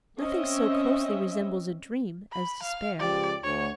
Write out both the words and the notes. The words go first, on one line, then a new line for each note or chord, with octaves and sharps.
Nothing so closely resembles a dream as despair.
C4 C#4 D#5 E5
B5
F5
C#2 F3 G4 D5
D2 C#5